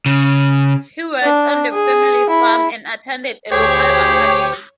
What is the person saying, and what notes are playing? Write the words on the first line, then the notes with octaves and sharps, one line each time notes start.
He worked on the family farm and attended a local academy.
C#3
D4
G#4
E4
D2 G4 G#4 C5 C#5 G5